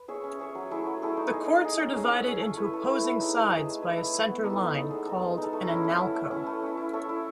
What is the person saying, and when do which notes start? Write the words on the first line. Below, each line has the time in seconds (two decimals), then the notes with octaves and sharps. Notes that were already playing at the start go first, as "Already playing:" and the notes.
The courts are divided into opposing sides by a center line, called an "analco".
Already playing: B4
0.08 G#4 C#5 E5
0.24 C#4
0.39 G#4 C#5 E5
0.55 F#3
0.71 A3 E4 G#4
0.87 F#3
1.02 A3 E4 G#4
1.17 D#4
1.33 G#4 D#5
1.48 D#4
1.64 G#4 D#5
1.80 C#4
1.95 G#4 C#5 E5
2.11 C#4
2.26 G#4 C#5 E5
2.41 A3
2.57 E4 B4 E5
2.73 A3
2.88 E4 B4 E5
3.04 A3
3.19 D#4 G#4
3.35 A3
3.51 D#4 G#4
3.66 A3
3.82 E4 B4
3.97 A3
4.13 E4 B4
4.28 B3
4.44 D#4 A4 E5
4.60 B3
4.75 D#4 A4 E5
4.91 G#3
5.06 D#4 A4
5.22 G#3
5.38 D#4 A4
5.53 A3
5.68 C#4 E4
5.84 A3
6.00 C#4 E4
6.15 A3
6.31 C#4 E4
6.46 A3
6.62 C#4 E4
6.77 E4
6.93 A4 C#5 E5
7.09 E4